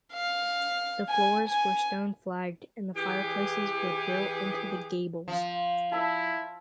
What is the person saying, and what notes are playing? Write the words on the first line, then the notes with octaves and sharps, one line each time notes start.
The floors were stone flagged and the fireplaces were built into the gables.
F5
G#5
G#5
E3 G4 G#4
F3
E4 E5 A5